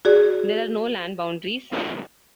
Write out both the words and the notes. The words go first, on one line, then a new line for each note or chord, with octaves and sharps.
There are no land boundaries.
F#4 G#4 D5